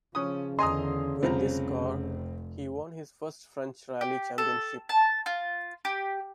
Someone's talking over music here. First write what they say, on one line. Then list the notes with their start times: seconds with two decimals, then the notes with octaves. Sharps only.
With this car, he won his first French Rallye Championship.
0.15 C#3 F3 C#4 D#6
0.59 E2 D3 D#5 G#5 A#5 C6 D#6
1.23 F1 C2 F3 C4 A#5
4.01 G4
4.38 A4
4.89 A5
5.26 F4
5.85 G4